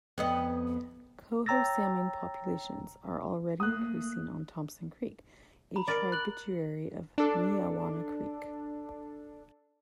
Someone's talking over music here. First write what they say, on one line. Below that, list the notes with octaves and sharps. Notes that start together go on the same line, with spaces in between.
Coho salmon populations are already increasing on Thompson Creek, a tributary of Neawanna Creek.
F2 B3 D#5
C#5 G5 A#5 E6 A6 A#6
A3 A#3 D#6 F#6
A#5 B5
A#4 D5
F#6 F#7
D4 A4